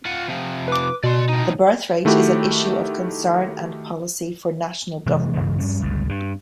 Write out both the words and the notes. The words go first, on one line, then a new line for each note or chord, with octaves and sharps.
The birth rate is an issue of concern and policy for national governments.
F4 F#5
C3 F3
B4 D6
B2 D5 C6
A2 D#4
D#3 A3 E4 F#4 G4
C3 E3 G#3
G2 C#3 E3 G#3
G2 G3 C#4
G1 C#2 G2
G2